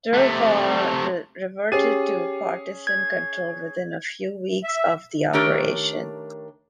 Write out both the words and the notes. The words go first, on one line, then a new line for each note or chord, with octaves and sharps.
Drvar reverted to Partisan control within a few weeks of the operation.
C3 A3
C#4 G4 G#4 D#7
G#6
E5
D#3 A3 D4 G4 A#4 C#5